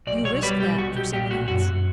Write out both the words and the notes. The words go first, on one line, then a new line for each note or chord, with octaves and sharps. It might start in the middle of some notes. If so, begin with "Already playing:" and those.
"You risk that for some one else."
B1 D5
B1 C#5
G3 B4
B1 G4
B1 F#4
B1 G4
A#2 G4
B1 F#4
F#2 F#4
F#2